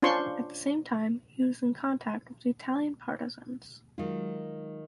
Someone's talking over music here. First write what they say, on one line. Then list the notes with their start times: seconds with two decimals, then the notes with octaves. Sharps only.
At the same time he was in contact with the Italian partisans.
0.02 C#4 D4 F4 C5 C6 C#6
3.98 D#3 F#3 G#3 D#4 F4